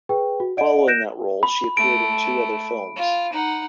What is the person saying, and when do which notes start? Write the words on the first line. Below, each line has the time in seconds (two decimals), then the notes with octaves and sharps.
Following that role, she appeared in two other films.
0.09 G#4 B4 G5
0.40 F#4
0.57 D5 D#5 F#5 D7
0.88 F#6 G6 A#6 D7 E7
1.43 B5
1.77 A3 D7
2.96 F4
3.32 D#4 F#5